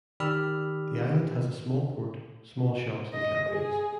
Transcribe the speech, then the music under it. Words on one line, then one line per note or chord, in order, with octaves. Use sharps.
The island has a small port, small shops and cafes.
D#3 G4 D5 B5 E6 F6
D#5
G#4